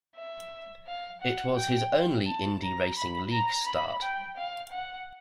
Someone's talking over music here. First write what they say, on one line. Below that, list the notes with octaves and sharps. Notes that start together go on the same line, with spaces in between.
It was his only Indy Racing League start.
E5
F5
F#5
G5
A5
A#5
B5
A#5
B5
G5
F5
F#5